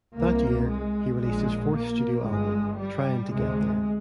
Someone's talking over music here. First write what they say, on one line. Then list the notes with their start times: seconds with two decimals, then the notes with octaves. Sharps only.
That year, he released his fourth studio album, "Tryin' to Get There".
0.17 C2 C3 A#3
0.69 G#3
1.21 A#1 A#2 G#3
1.74 A#3
2.26 G1 G2 G#3
2.78 G3
3.30 D2 C3 G#3